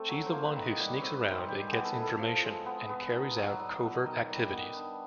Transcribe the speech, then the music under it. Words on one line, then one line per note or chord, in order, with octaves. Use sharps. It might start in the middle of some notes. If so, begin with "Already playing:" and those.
She's the one who sneaks around and gets information, and carries out covert activities.
Already playing: A3 C4
F#3 C#5
C5
A#3
B4
D#3
D#5
G3 D5
C#5
C4
B4
D#3
C5
G3 G4
G#4
B3
A4
E4
A4
F3
G#3
B3
B3
D#4
F#3
F#3 D5
B3
D#5
D#3
G3
B3
D4